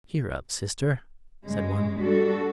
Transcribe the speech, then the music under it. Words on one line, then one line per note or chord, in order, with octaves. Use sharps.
"Cheer up, sister," said one.
G2 C#3 G#3
G3 D4 F#4 A4